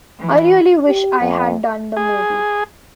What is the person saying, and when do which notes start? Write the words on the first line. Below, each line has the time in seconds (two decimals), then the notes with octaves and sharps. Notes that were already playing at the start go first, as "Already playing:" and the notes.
I really wish I'd done the movie.
0.19 E3
0.87 G4
1.20 F2
1.97 G#4